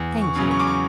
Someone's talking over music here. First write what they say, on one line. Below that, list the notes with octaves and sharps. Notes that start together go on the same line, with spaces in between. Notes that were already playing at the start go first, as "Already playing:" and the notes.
'Thank you.
Already playing: E2
C#6
C#3 F#3 C#4
C#6
D6
C#6